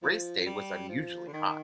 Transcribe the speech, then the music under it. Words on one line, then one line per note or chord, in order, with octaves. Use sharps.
Race day was unusually hot.
F3
G3
F3
D3
D#3